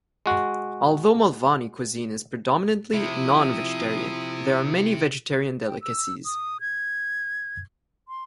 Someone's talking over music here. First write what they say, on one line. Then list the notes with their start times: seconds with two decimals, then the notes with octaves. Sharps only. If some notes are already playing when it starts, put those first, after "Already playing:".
Although Malvani cuisine is predominantly non-vegetarian, there are many vegetarian delicacies.
0.26 G#3 F#4
2.94 C3 F3 E4 D#6
5.67 G5
5.82 E6
6.25 D#6
6.61 G#6
8.08 C6